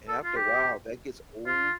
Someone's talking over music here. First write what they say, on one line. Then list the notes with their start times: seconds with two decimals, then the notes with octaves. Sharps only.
And after a while, that gets old,
0.08 A4
0.24 F4
0.36 G4
1.46 F4